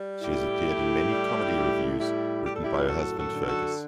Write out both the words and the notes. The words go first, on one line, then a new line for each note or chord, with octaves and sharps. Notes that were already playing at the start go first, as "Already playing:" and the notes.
She has appeared in many comedy revues written by her husband Fergus.
Already playing: G3
A2 E4 G4
A2
G3
A2
G3 E4 G4
A2 G4
A4
E4 G4
F#2 F#4 A4
F#4 A4
D3
F#4 A4